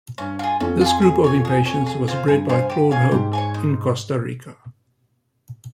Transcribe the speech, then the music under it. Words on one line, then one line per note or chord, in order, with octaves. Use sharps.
This group of impatiens was bred by Claude Hope in Costa Rica.
G2 C#4
F4 G#4
F2 C#4
F4 G#4
G#4
C#5 G#5
G#4
C#5 G#5
G#4
C5 F5 G#5
G2 G#4
C5 F5 G#5
G4
C#5 F5 G#5
G#2 G4
C#5 F5 G#5
D#4